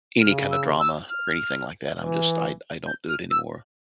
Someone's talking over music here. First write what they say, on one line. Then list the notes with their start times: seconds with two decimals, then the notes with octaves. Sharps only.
any kind of drama or anything like that, I'm just I I don't do it anymore,
0.21 C#3 F6
0.51 E6
0.79 E6
1.10 F6
1.98 E3
2.86 G6
3.08 F6
3.30 E6